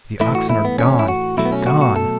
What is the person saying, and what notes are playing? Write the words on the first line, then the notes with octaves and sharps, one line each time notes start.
The oxen are--gone--gone!'
A2 E3 A3 E4
F#4
E4
B3
C#4
E4
F#4
B2 F#3 A3 E4
B3
C#4
F#4
F#4
A4